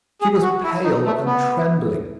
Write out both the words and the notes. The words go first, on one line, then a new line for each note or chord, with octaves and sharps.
She was pale and trembling.
G#4
F#4
E4
D#4
A3
B3